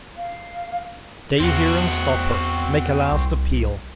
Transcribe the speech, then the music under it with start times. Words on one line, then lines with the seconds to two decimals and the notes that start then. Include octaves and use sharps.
'Stay here and stop her!--make a last appeal!
0.17 F5
1.40 E2 C4 F#4
3.11 C2